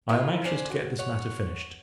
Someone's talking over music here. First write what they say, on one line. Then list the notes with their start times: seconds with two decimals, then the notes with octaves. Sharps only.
I am anxious to get this matter finished.
0.09 E4 F4 A#4 B4
0.44 C#4 D4 C5
0.70 F#4
0.99 C#5 F#5